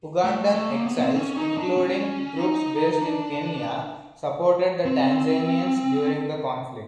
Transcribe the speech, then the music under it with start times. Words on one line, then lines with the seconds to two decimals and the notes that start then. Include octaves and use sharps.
Ugandan exiles including groups based in Kenya supported the Tanzanians during the conflict.
0.24 A3
0.54 A3
0.70 A#3
0.86 B3
1.01 C4
1.16 C#4
1.37 D#4
1.57 D4
1.78 C#4
2.39 D#4
3.01 D4
4.85 C4